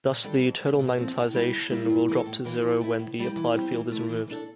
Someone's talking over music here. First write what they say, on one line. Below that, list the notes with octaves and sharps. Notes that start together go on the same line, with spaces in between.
Thus the total magnetization will drop to zero when the applied field is removed.
A#2
G3 D4 F4 A4
F2
C3 G3
A#2
F3 C4
A2
G3 A#3
D3
G3 A#3 E4
G2
E3 A#3 F4 A4
A2
E3 A#3
F3
A3 E4
A2
E3 G3 A#3
E3
G3 C4
E3
A3 E4
E3
A#3 D4 A4